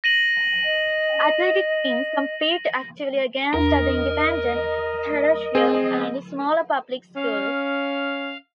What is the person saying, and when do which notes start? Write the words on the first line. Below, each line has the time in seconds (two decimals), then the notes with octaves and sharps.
Athletic teams compete actively against other independent, parochial and smaller public schools.
0.04 A#6 D#7 F#7
0.65 D#5
3.54 E2 D4 A#4 D#5
5.55 C4 G#4
7.16 C#4 F5